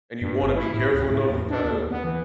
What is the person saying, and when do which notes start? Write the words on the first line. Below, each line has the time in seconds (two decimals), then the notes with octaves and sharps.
and you wanna be careful enough, you kinda
0.22 G2
0.43 G#1
0.57 E4
0.74 A2
0.94 D2
1.12 A2
1.30 E2
1.50 D4
1.65 D#2
1.91 B3
2.04 E3